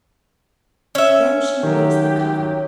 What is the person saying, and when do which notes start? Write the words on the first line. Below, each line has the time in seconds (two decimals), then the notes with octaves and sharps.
Then she raised the cover.
0.95 C#4 E5
1.63 D#3 F#3 G4